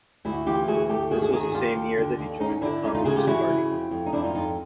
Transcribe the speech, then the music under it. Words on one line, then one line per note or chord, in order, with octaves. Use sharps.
This was the same year that he joined the Communist Party.
D2 E4 F#4
E3 F4 G4
D2 F#4 G#4
D2 G4 A4
D#3 F#4 G#4
F#4 G#4
D#3 F#4 G#4
F#4 G#4
D#2 F4 G4
D#2
D3
D#2
D#2 C#4 D#4
D3 D4 E4
D2 C#4 D#4
D#4 F4
C#3 F#4 G#4
F4 G4
E3 E4 F#4
C#3
F2
F2
D#4
F2 D4 E4
D#4 F4
F2 D#4 F4